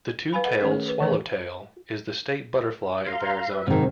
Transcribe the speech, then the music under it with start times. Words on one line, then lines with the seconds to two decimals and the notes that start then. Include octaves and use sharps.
The two-tailed swallowtail is the state butterfly of Arizona.
0.33 B4 F5 G#5 B5
0.44 A4 B4 D#5 F#5
0.60 D#3 A3 C#4 A#4 C5
0.71 G#4
0.88 B4
1.00 D#3 E3 A3 A4 B4
3.07 F5 A#5 C6
3.50 B4 E5
3.67 G#2 C3 D#3 C4